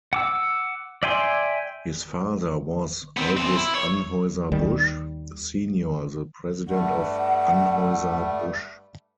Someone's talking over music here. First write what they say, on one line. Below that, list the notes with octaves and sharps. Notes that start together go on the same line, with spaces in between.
His father was August Anheuser Busch Senior the President of Anheuser-Busch.
F#5 D6 E6
D5 E5 G5 G#5 C6
B3 C4
E2 C4
E4
C#5
D#2 D#3 G3
G2 G3 A3 F#5